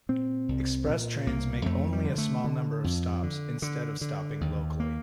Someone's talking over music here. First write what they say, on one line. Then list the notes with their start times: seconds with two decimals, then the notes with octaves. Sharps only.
Express trains make only a small number of stops, instead of stopping locally.
0.09 A#2 C4
0.48 C2
0.87 A#2
1.26 C2 A#3
1.66 F2 A3
1.93 G3
2.05 D3
2.18 A3
2.44 D3
2.84 F2
3.23 D3
3.62 D3
4.01 D3
4.41 D#2
4.80 A#3